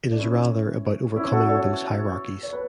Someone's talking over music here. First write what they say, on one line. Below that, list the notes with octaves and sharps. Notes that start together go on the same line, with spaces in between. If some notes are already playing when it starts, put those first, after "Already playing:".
It is rather about overcoming those hierarchies.
D4
C#4 E4
C#4 E4
F#4 A4
A4 C#5
C#5
B4